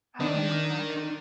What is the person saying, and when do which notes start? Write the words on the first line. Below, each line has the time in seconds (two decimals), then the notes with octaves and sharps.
Oh my god.
0.20 D#3 D4